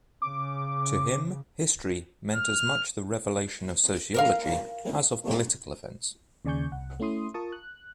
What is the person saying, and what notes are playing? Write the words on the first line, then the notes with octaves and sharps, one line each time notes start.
To him, history meant as much the revelation of sociology as of political events.
C#3 D6
F6
A#4 D5 F5
D#2 C#3 D5 G#5 C#6 G6
C2 F#5
A3 C#4 E4 C6 D#6
F4 A#4 A5 C#6 D#6
F#6